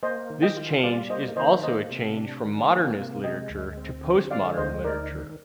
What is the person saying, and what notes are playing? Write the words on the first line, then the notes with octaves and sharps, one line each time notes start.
This change is also a change from modernist literature to postmodern literature.
A#3 C5 D#5
D#3
D#5 G5
F4
G3 D5 F5
A#3 C5 D#5
D#3 C5 D#5
A#3 C5 D#5
C3
D4
D#3
A#3
C3
G#3 D#5 G5
D2
C4
D3
G#3 D5 F5
D2 C5 D#5
D#4 A#4 D5
D#3